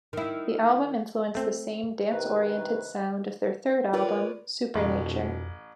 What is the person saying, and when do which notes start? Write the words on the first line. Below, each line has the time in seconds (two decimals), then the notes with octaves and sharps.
The album influenced the same dance-oriented sound of their third album "Supernature".
0.13 D#3 E4
1.35 A3 C4
2.11 G2 C3 D#3 B4
3.93 F4 A#4 B4 C#5 D5
4.75 D#1 A1 F2 B2